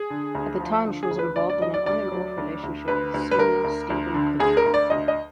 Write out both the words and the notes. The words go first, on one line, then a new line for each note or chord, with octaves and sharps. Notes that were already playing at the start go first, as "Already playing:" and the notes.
At the time, she was involved in an on-and-off relationship with senior Stephen Colletti.
Already playing: G#4
D3
D2
F3
D3
G#4
D2
B4
D2 D5
D5
F#3 D#5
D5
D2 D5
F#3
D2
D2
D2 B4
D2
B4
D2 A#4
D2
D2
D3
D2 G#4
A#4
D2
D5
D2 D#5
D#5